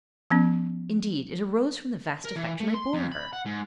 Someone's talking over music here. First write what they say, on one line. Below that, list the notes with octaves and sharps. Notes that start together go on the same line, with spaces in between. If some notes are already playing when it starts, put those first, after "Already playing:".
Indeed it arose from the vast affection I bore her.
F3 B3 C#4
A#4
E3
A3
C6
F2
B5
F#5
G#2